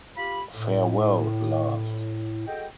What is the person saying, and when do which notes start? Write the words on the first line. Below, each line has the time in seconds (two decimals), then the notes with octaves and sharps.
Farewell Love!
0.16 F4 G4 F5 B5
0.54 A2
2.47 F#4 G#4 A4 D#5 G5